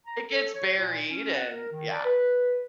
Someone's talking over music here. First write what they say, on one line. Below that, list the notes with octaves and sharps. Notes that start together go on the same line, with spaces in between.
It gets buried and yeah.
A#5
A4
C#5
A#2
C#4
F#5
A#4
D#3
D5
B4